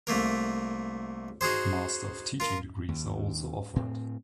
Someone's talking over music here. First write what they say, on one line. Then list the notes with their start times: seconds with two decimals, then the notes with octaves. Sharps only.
Master of Teaching degrees are also offered.
0.07 C2 A3 A#3 A#4
1.41 D#4 F#4 G#4 C5
2.40 F4 A#4
2.89 D#2
3.76 A2 C4